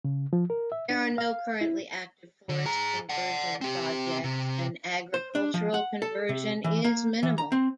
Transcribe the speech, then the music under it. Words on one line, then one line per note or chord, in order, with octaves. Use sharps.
There are no currently active forest conversion projects, and agricultural conversion is minimal.
C#3
F3
A#4
E5
D4
F5
E4
D3
G#4 A#5
D5 F#5
C4 G4
C3
C5
D4
F3
F#5
A4
C3
E3
A#3
E3
A#5
C4